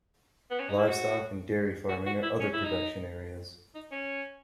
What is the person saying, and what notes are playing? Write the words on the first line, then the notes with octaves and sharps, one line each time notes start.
Livestock and dairy farming are other production areas.
B3
C#4
D#4
E4
F#4
F#4
F#4
E4
C#4
E4
D#4
D#4
C#4